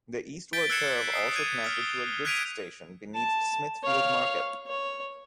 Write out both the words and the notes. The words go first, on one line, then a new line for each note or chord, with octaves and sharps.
The eastward curve also connected to a goods station beneath Smithfield market.
G6 A6 B6 D7 G7
E6 F#6 G#6 C7 C#7 E7
D#6 C7
F#6 G#6 D#7
D#6 F6
F#6 G#6 B6 D7 D#7 F7
A5
C#5 F5
C#5